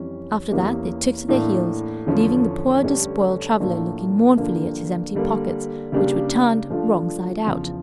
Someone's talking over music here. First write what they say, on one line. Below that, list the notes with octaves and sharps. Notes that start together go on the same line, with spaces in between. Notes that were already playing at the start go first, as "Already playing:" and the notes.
After that they took to their heels, leaving the poor despoiled traveller looking mournfully at his empty pockets, which were turned wrong side out.
Already playing: F2 E3 G3 C#4
E2 E3 A#3 C#4 G4
A2 E3 A#3 D4
E2 D3 F3 C#4
G2 D3 A3 C#4 G4
A2 F3 A#3 D4
G2 D3 F3 A#3
D3 G3 A#3
C#3 G3 A#3 D4 G4
G2 F3 A3 D4 F4
E2 C#3 F3